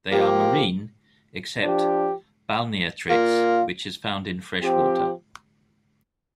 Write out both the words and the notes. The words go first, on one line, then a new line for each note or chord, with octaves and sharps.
They are marine, except "Balneatrix" which is found in fresh water.
F3 A#3 G4
F3 D4 G4
A#2 A#3 F4
F3 C4 G4